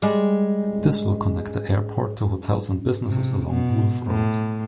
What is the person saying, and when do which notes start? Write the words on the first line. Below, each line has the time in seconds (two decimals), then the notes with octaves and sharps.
This will connect the airport to hotels and businesses along Wolf Road.
0.02 G3 G#3
3.08 C3
3.49 B2
4.06 A2